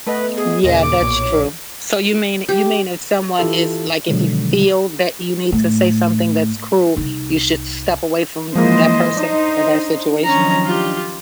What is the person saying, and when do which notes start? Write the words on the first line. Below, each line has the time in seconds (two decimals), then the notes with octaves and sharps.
Yeah, that's true. So you mean you mean if someone is like, if you feel that you need to say something that's cruel, you should step away from that person or that situation?
0.06 A3 B3 B4 D#5
0.37 G#4
0.64 D#2 A#2 C#3 D#5
0.81 D6
1.01 B1 A#2 C#5
2.49 G4
3.39 E3 E4 F4 G4 A4
4.08 B2 D3 D#3 F3 F#3 G#3
5.52 A2
6.97 C2 D#4
8.55 E3 F3 G#3 A#3 C5 D#5
9.17 D4 D#4 C5
10.24 D#3 F3 F#3 C#4 A#5
10.65 F4 G4